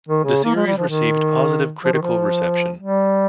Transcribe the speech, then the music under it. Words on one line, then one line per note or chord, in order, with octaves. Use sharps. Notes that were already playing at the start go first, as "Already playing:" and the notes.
The series received positive critical reception.
D#3
C#3
A#3
G#3
G3
F3
D#3
F3
D#3
F3
G3